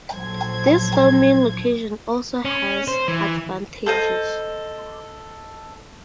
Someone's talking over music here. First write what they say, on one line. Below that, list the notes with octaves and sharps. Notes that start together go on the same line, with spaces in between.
This filming location also has advantages.
A#1 F#3 A4 C5 G#6
C#4
C5
E3
A4 C5 D#5